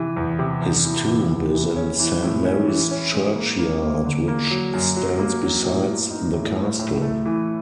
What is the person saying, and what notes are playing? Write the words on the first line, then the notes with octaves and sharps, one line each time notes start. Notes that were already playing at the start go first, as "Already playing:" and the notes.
His tomb is in Saint Mary's churchyard which stands besides the castle.
Already playing: C3 E3
E2
C3
E2
E3
E2
E2
E3
C#4
E3
A2
C#4
E3
C#4
G#3
A#3
A#3
A#3
D3
A#3
F#3
F#2
F#3
A#3
F#3
A2
F#3
D#4
A2
A2
A2
A3
E3